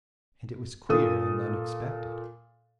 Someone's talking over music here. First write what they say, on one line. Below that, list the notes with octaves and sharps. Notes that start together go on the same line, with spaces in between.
And it was queer and unexpected.
A#2 A4 D#6